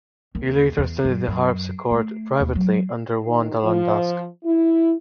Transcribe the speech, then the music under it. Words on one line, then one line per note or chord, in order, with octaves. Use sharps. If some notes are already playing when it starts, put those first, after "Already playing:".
He later studied the harpsichord privately under Wanda Landowska.
D#2
E2
F#2
F#2
A3
D#2
F#3
D#3
F3
E4